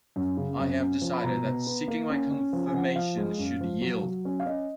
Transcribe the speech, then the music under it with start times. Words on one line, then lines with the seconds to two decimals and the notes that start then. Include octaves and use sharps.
I have decided that seeking my confirmation should yield.
0.16 F#2
0.37 C#3
0.59 F#2
0.80 C#4
1.01 F3
1.13 B5
1.23 B2 A#5
1.45 B2
1.66 B3
1.88 A#3
2.10 C#4
2.31 C#4
2.53 F3
2.66 G#5
2.74 F3 F#5
2.96 F3 F5
3.17 G#3
3.38 F#2
3.60 F3
3.82 F#3
4.03 F#3
4.25 C#4
4.40 F5
4.46 C#4 D#5